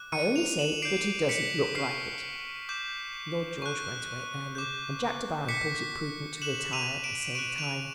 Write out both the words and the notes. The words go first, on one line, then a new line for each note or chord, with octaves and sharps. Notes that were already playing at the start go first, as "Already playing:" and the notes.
"I only say that he doesn't look like it." Lord George went away early, and Jack De Baron thought it prudent to retire at the same time.
Already playing: D6 F#6
C#7 D#7
D#7 F7
E7 F#7
D6 G6 C7 D7
B6 C#7
C#6 F6 C7
D6 G6
C#6 F#6
D6 G6
D6 F#6 B6 C#7
D6 F#6 E7 F#7
D#7 F7
D7 E7
C#6 F#6 D7 E7
D#7 F7